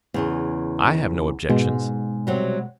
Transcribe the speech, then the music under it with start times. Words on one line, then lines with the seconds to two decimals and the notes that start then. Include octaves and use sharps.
"I have no objections."
0.14 E2 C#3 D#5
1.49 G#2 B2 G#3
2.27 C3 F#3 G3